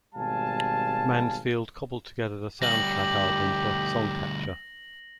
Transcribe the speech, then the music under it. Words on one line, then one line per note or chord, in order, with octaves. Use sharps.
Mansfield cobbled together the soundtrack album for "Songcatcher".
G#1 B2 G3 F5 G#5 A5
D2 G3 G4 A#6 F#7